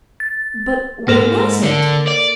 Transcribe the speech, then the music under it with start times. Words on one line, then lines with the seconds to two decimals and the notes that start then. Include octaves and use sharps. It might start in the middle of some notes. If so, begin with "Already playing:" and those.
But where was it?
0.20 A6
1.08 G#2 A#3 A4 A#4
1.63 D3
2.08 D5